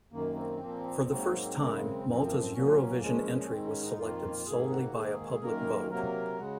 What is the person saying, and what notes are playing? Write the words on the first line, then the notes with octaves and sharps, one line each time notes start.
For the first time, Malta's Eurovision entry was selected solely by a public vote.
F#2 D#3 A#3
C4
A#2 F3 A#3
G#2 F#3 A#3
F#2 C#3 G#3 A#3
A#3
C4
F#2 F3 A#3
A#3
C4
A#2 F#3 A#3 C#4
A#2 F3 G#3 C#4
G#2 D#3 G#3 C4
C#4
D#4
F2 D#3 A#3 F4
G#2 D#3 A#3 G#4
F#4
G#2 D#3 A#3 G#4
F#2 D#3 A#3 A#4
C3 F#3 A#3 A#4
C#3 G#3 F#4